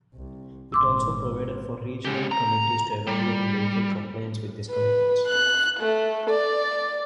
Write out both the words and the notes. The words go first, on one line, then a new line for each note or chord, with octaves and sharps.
It also provided for regional committees to evaluate and verify compliance with these commitments.
C2
G#1 A#2 C6 D6 E6
G#3 G4
A#5
G3
B4
F#6
A3
D5